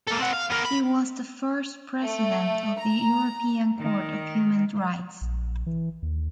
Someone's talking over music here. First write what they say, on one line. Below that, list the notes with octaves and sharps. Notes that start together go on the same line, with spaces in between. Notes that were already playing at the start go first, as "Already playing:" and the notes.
He was the first President of the European Court of Human Rights.
A#3 A4
C4 F#5
F5
B3 A#4
B5
A3
A#5
D#3
A#1
E3
D#2